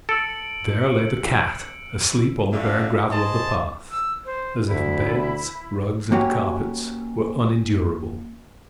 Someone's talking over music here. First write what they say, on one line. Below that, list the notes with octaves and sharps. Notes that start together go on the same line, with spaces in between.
There lay the cat asleep on the bare gravel of the path, as if beds, rugs, and carpets were unendurable.
A4 E6 C#7 D7
C#3 A3 D4 F#4
G#4 C5 D#5 A5
E6
C5
D2 E4
A#3 C#4 F#4 G4